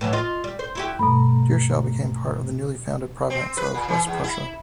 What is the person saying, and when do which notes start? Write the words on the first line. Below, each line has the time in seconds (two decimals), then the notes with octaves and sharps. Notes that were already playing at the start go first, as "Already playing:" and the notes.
Dirschau became part of the newly founded Province of West Prussia.
0.01 A2 E3 F#3
0.13 F4 D#5
0.44 G3
0.59 C5
0.75 E4 F#4 G4
0.99 G2 B2 A3 A#5 B5
3.30 C4
3.57 B4
3.74 A#2
3.88 E3
4.07 E2
4.24 E4